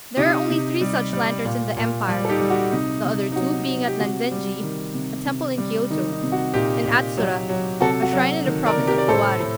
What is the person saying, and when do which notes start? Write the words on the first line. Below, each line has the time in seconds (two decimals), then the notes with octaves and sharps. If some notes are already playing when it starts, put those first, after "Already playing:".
There are only three such lanterns in the empire; the other two being at Nanzenji--a temple in Kiyoto, and Atsura, a shrine in the province of Owari.
0.17 C3 D#4 G4
0.50 C3
0.81 G3
1.13 G3
1.45 A#2
1.77 A#2
2.08 G3
2.25 A4
2.29 D#4 G4
2.40 G3
2.50 F#4
2.72 C3 D#4
3.04 C3
3.32 D#4
3.36 F#3 F#4
3.68 F#3
3.88 G4
3.99 C3 F#4
4.31 G3
4.63 D#3
4.94 C3
5.26 C3
5.58 G3
5.90 D#3 D#4
6.12 D#4
6.23 C3
6.32 F#4
6.54 A#2 D#4 G4
6.86 A#2
7.17 F#3
7.49 F#3
7.81 C3 F#4 A4
8.02 F#4
8.13 F#3
8.45 D#3
8.66 A#4 D5
8.77 C3
8.87 G4 A#4
8.98 D5
9.08 A2 A4 C5
9.40 A2